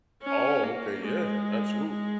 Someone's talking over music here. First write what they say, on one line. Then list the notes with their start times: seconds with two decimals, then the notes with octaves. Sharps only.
Oh, okay yeah, absolutely,
0.22 C#4
0.63 A#3
1.05 G#3
1.89 G#3